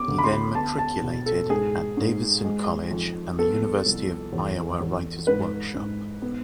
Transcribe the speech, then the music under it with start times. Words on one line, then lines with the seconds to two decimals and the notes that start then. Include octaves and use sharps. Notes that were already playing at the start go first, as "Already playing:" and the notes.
He then matriculated at Davidson College and the University of Iowa Writers' Workshop.
Already playing: B3 D6
0.08 D2
0.18 B5
0.24 C6
0.55 B3 A5
0.78 A5
1.03 B2
1.26 A4
1.50 G#2 G#4
1.97 G#2
2.44 G#3
2.91 F2
3.39 B3 A4
3.86 C2
4.33 E2
4.81 E2
5.27 G#2 B4
5.75 G#2
6.22 B3